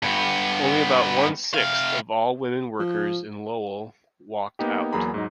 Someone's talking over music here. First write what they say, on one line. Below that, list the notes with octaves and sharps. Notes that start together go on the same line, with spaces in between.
Only about one sixth of all women workers in Lowell walked out.
G2 B3
C3 F5
F3
A#3 B3 D#4 G4
E2 F#3 A#3 G#4 A#5 B5
G#2 F#3 D#4